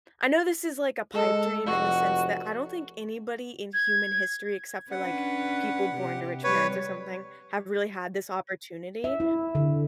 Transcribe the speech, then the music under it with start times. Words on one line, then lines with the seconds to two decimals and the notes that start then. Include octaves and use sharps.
I know this is like a pipe dream in the sense that I don't think anybody in human history except for, like, people born to rich parents or something have really had this opportunity,
1.14 G#3 A4
1.66 F1 F#4
3.74 G#6
4.91 C#4 D4 B4 F#5
5.94 C3 G4
6.44 G3 B4 C#5
9.04 E5
9.20 E4
9.55 D3